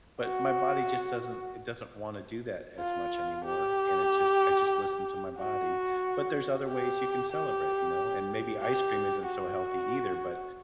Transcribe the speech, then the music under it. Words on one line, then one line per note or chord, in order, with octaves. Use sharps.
But my body just doesn't it doesn't want to do that as much anymore. And it just I just listen to my body. But there's other ways you can celebrate, you know? And maybe ice cream isn't so healthy either, but
F#4
F4
G4
F#4
G4
G4
G4
F#4